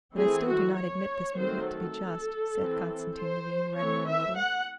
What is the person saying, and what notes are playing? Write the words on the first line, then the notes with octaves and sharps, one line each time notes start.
"But I still do not admit this movement to be just," said Konstantin Levin, reddening a little.
E3 A3 C4 G#4
F#4
C#5
D#3 F#3 A3 C4 C5
A4
E3 C4
C5
E3 A3 C4 C#5
E5
F#5